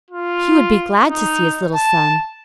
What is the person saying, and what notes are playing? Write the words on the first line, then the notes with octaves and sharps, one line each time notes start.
He would be glad to see his little son.
F4
D#4
A5